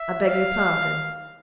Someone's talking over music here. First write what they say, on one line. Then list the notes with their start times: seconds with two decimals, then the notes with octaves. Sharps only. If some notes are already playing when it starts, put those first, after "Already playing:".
I beg your pardon.'
Already playing: E5
0.28 F5